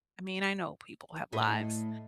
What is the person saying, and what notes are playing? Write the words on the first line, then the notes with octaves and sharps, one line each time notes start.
I mean, I know people have lives,
A2 D#5 E5